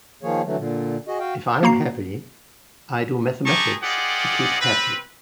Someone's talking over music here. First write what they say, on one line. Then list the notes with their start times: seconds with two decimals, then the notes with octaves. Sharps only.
If I am happy, I do mathematics to keep happy.
0.23 D#3 F3 A#3 G#4 C#5
0.45 D3 E3 F#3 A3
0.58 A#2 D3
1.08 F#4 G#4 D#5
1.19 F#4 F5 G5
1.63 A#3 F#4 A#5 C7
3.45 G3 G4 G#4 A5 A#5 C#6
3.83 F4 G4 G#4 D5 D#5 F#5
4.60 C4 B4